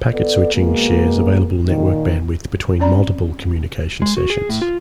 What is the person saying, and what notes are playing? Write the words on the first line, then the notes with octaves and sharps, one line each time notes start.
Packet switching shares available network bandwidth between multiple communication sessions.
B3 A4 D5
B2 G#3 A#3
A#2 D#3
C4 C#4 D5 A#5 B5
G#3
F#4
G#4
A2
F4